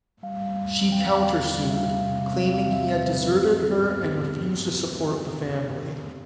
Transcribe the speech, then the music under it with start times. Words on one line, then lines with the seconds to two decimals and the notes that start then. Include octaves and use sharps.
She countersued, claiming he had deserted her and refused to support the family.
0.23 G3 F5
0.42 G3
0.62 E2
0.81 C4
0.92 G5
1.00 E2 F5
1.20 E2
1.38 E2
1.58 G3
1.70 E5
1.77 G3 F5
1.95 C3
2.15 C3
2.34 C4
2.54 E2 F5
2.72 E2 E5
2.91 E2 C5
3.11 C4 B4
3.30 G2 G4
3.49 G2
3.69 B3
3.88 B3
4.06 F3 G4